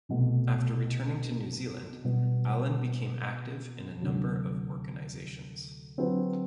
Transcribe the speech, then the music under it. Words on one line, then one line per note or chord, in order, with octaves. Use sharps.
After returning to New Zealand, Allen became active in a number of organisations.
C2 B2 A3
B2 G3 B3
D2 C3 F#3
D3 F#3 C4 G4 B4